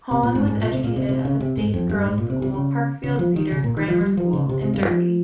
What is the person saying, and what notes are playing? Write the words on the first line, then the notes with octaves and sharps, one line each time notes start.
Hann was educated at the state girls' school Parkfield Cedars Grammar School in Derby.
C3
A#2
G#2
G#2
A#2
C3
A#2
C3
C3
C#3
C3
G#2
F2
G2
G#2
A#2
C3
C3
C#3
C#3
F3
D#3
C#3
A#2
D#3
F3
G3
F3
C#3
C3
C3
G2
F3